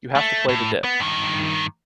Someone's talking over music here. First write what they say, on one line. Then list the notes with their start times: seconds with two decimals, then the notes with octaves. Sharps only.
You have to play the dead.
0.16 A3
0.49 A2
0.84 B3
1.00 G2 D#3